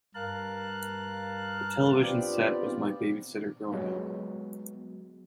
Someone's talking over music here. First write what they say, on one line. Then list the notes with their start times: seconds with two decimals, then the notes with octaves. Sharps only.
The television set was my babysitter growing up.
0.15 G2 A#4 F5 A5 F#6
2.03 B3 C4 D4 F4 G4 D5
3.72 F#3 G#3 B3